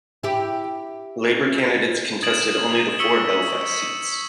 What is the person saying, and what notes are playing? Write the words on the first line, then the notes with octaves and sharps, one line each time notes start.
Labour candidates contested only the four Belfast seats.
E4 G4
D#6 G#6 A6 D7 E7 F#7
C#6 E6 B6 C#7 F#7 G7